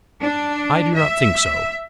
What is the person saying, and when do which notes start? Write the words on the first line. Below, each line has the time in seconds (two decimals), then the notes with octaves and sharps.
I do not think so.
0.22 D4
0.96 E5